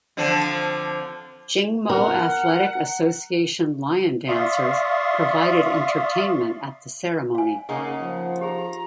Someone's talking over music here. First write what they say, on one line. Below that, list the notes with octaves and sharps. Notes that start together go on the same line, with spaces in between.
Jing Mo Athletic Association lion dancers provided entertainment at the ceremony.
D3 F3 C4
A#4 F#5
D5 E5 F5 C6 C#6 D#6
F5 G#5
C#3 A#3 D#4 G#4 F#5
F3 F#5
G4 G#4 A#5